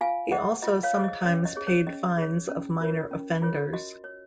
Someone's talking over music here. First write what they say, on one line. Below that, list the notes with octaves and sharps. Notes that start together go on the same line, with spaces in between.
He also sometimes paid fines of minor offenders.
F4 F5 G#5
G#4 C5 D#5 F#5
F4 D#5
C#5 F5
G#4 C5
D#5
C#4 C#5
D#5
G#4 C#5
C#5
C#4 D#5
G#4 C#5
C#4
F4 A#4 C#5
C#4
F4 A#4 C#5
F#4 D#5
C#5